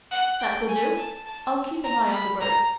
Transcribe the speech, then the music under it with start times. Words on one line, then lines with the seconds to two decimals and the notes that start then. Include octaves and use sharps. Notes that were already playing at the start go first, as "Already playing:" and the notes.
"That will do; I'll keep an eye on the bird."
0.11 F#5
0.40 G5
0.68 G#5
0.98 A5
1.26 A5
1.84 A#5
2.12 B5
2.41 A#5